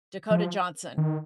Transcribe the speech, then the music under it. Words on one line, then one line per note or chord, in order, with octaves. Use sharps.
Dakota Johnson.
F3
D#3